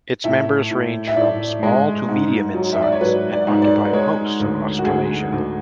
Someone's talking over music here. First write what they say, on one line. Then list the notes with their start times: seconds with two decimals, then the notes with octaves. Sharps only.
Its members range from small to medium in size, and occupy most of Australasia.
0.24 A2 E5
0.71 A2
1.08 E5
1.16 A2 D5
1.63 G#3
2.08 G#2
2.54 F#3
2.73 E5
2.82 D5
2.92 C#5
3.01 F#3 B4
3.32 D5
3.47 G#2
3.62 D5
3.85 B4
3.93 G#3 C#5
4.40 D2
4.79 F#4
4.85 D2 G#4
5.32 D2